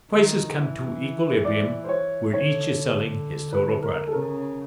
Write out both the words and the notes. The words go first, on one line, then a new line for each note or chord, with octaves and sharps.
Prices come to equilibrium where each is selling his total product.
D#3
E3
D5
C5
C#5
D3 C#5
B4
A#4
A4
C#3 A#4